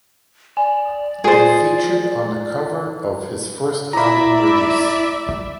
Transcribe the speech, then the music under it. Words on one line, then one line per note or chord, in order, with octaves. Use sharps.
They featured on the cover of his first album release.
D5 G#5
F4 G#4 C5 A6
E4 D5 E5 A#5 B5